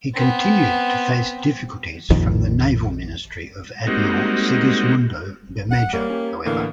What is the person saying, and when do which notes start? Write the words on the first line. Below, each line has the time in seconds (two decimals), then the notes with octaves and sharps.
He continued to face difficulties from the naval ministry of Admiral Segismundo Bermejo, however.
0.15 B3 C4
2.10 A#1 F2 D#3
3.87 G3 G#3 A#3 C4 D#4 F#4
5.71 F#5
5.93 G3 A#3 C#5
6.10 C#4 G4
6.45 A2 D3 E3 A#3